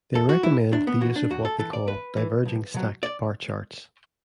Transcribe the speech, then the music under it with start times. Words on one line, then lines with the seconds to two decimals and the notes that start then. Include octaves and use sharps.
They recommend the use of what they call diverging stacked bar charts.
0.15 E2 A4
0.29 F#4
0.43 E3 E4
0.72 E2 D4
0.87 B3
1.01 E3 F#4
1.16 D4
1.30 E2 F#4
1.45 A4
1.59 E3 A4
1.73 D5
1.88 E2 B4
2.17 E3
2.45 B1
2.74 B2 F#3
3.03 D5